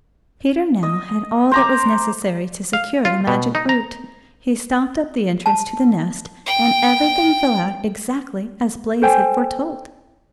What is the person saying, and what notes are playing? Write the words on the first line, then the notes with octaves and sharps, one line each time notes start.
Peter now had all that was necessary to secure the magic root; he stopped up the entrance to the nest, and everything fell out exactly as Blaize had foretold.
D#5
C5 A#5 D6
F5
F4
B2
D#4
A#5
A5
G5
A4 C5 G5 G#5